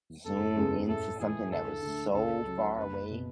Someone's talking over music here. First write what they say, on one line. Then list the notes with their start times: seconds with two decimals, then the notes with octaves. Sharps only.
zoom into something that was so far away
0.25 F#1 A4
0.56 E2 C#3 E3 G#3
0.88 A2 A4
1.19 E3 G#3 G#4
1.51 D2 A4
1.82 D3 A3
2.14 C#2 A4
2.46 C#3 F#3
2.77 F#1 B4
3.10 B2